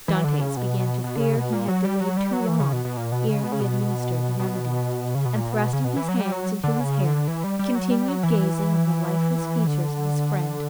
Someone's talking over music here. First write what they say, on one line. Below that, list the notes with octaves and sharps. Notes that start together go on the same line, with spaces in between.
Dantes began to fear he had delayed too long ere he administered the remedy, and, thrusting his hands into his hair, continued gazing on the lifeless features of his friend.
E3
D3
C#3
B2
B2
D3
C#3
B2
A#2
F#3
G3
F#3
G3
F#3
E3
C#3
B2
B2
A#2
B2
C#3
B2
C#3
B2
B2
C#3
B2
A#2
B2
C#3
B2
E3
F#3
G3
F#3
D3
C#3
D3
E3
G3
G3
F#3
G3
F#3
E3
D3